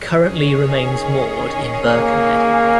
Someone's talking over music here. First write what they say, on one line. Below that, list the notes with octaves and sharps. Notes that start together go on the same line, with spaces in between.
Currently remains moored in Birkenhead.
D#3 C#4 G#4 C#5
A#3